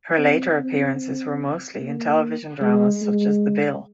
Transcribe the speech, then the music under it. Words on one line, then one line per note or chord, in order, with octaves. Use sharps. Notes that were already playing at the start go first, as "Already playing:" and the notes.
Her later appearances were mostly in television dramas such as "The Bill".
C4
C4
A#3
G#3
G#3